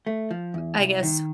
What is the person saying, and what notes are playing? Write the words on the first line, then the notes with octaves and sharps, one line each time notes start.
I guess,
A3
F3
E2
C2
D#3